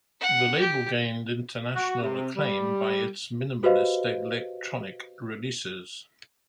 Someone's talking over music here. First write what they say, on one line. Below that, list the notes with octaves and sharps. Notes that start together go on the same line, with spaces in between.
The label gained international acclaim by its minimalist electronic releases.
F#5
G4
F#4
C3
G3
F#4 G4 B4 C5 D#5 F5